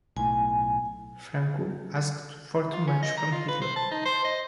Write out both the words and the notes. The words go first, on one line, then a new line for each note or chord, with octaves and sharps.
Franco asked for too much from Hitler.
B1 A2 G#5
F4
C#4
D#5
A#5
F4
B4
C5
A5
D#4
C5
D#5